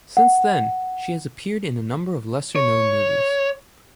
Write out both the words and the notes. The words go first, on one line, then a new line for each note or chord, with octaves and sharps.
Since then, she has appeared in a number of lesser known movies.
F#5
C#5